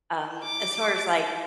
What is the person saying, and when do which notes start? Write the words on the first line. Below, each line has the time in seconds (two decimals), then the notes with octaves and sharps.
Um, as far as, like
0.44 D6